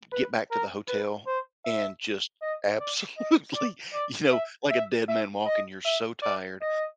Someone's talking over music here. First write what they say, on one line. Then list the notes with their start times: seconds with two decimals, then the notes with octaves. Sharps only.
get back to the hotel and just absolutely you know, like a dead man walking. You're so tired.
0.12 B4
0.51 A#4
0.88 B4
1.27 C5
1.65 E5
2.42 D#5
2.80 D5
3.18 D#5
3.55 D5
3.94 D5
4.32 E5
4.70 E5
5.08 E5
5.47 D#5
5.85 E5
6.22 D5
6.62 D#5